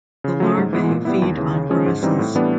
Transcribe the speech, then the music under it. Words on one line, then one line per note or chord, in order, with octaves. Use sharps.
The larvae feed on grasses.
C#3
F#3 A3 C#4
G#2
E3 G#3 B3
A#2
G3 B3 E4
D#2
C#3 E3
C#3
F3 G#3 C#4
G#2
E3 G3 C4 D#4
A2
E3 G3 B3 D4